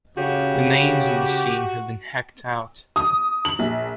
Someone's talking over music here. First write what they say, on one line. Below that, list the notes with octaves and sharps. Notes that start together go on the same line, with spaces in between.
The names in the scene have been hacked out.
C#3 F#4 G4
D#6
F#7
A#1